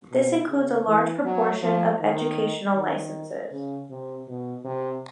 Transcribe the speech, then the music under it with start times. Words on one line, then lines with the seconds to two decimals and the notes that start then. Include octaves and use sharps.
This includes a large proportion of educational licenses.
0.11 B2
0.49 C#3
0.87 E3
1.24 F#3
1.62 F3
2.01 D#3
2.75 D#3
3.52 C#3
3.90 C3
4.28 B2
4.65 C3